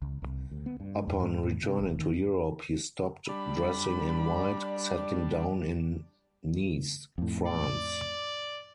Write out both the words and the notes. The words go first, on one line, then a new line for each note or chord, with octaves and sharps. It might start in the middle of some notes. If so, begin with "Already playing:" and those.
Upon returning to Europe he stopped dressing in white, settling down in Nice, France.
C#2
C2
D2
B3
G2
E2
G#2
A2
C3
E1
D#3
G3 D4 B5
D5
F2 A2
D5